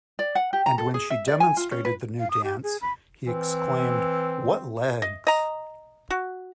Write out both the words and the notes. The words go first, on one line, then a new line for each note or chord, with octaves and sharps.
And when she demonstrated the new dance, he exclaimed, What legs!
D5
F#5
G4
A#5
A4
G#4
E5
D5
G#5
F4
C#4
B4
F5
D#6
G4
G#4
B5
E3 C4
D#5
D#5 A#5
F#4